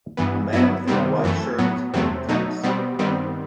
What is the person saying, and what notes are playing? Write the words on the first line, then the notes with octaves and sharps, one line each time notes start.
A man in a white shirt is playing tennis.
G2 E3 B3
G2 F#3 B3 E4
C3 D#3 G3 B3 C4
F#2 E3 A3
A2 F#3 B3
E2 C3 F#3 A3 C4
B2 F#3 A3 D#4
B2 G3 B3 C4
G2 D#3 G3 B3 C4